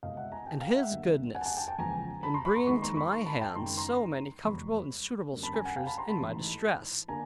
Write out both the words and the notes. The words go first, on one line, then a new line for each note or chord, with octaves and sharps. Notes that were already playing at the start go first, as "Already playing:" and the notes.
And His goodness in bringing to my hand so many comfortable and suitable scriptures in my distress.
C2 B2 G#3 D#5 F5
E5 F#5
G#5 A#5
G5 A5
F5 G5
E5 F#5
D2 D3 G3 A#3
F#5 G#5
A5
F#5 G#5
G5 A5
G5 A5
E2 C#3 F3 G#3 B3 G#5 A#5
A5 B5
A#5 C6
B5 C#6
A#5 C6
D#2 D#3 G#3 B3 B5 C#6
A#5 C6
B5 C#6
A#5 C6
A5 B5
G5 A5
F#1 F#2 D#3 G#3 A#5 C6
A#5 C6
F1 E2 B2 G#3 B5 C#6
F#2 D3 G3
A5 B5
G#5 A#5
F#5 G#5
F5 G5
A5 B5
A#5 C6
A5 B5
A1 G#2 E3 A3
D3 A#3 G#5 A#5